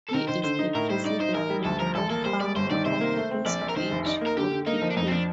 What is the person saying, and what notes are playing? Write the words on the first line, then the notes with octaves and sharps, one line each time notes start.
He is the President and Co-Founder of Free Speech for People.
A4
D#3 A#4
D#3 C5
D3 C5
D#4
A2 A#4
G3 C5
D#4 D5
D#4 C5
A1 A#4
G3
D2 A4
F3 A#4
A1 A4
A#3 A4
G3 C5
G3 D5
G1 C5
D#3 D5
C3 C5
A#3
A3
C4
A#1 D5
A#1
A#4
D#3 C5
F1
D#4 D5
A#3
A#4
D3 G4
D3
A#3 D#4
F3
D4
F2 D#4
C4
F3 D4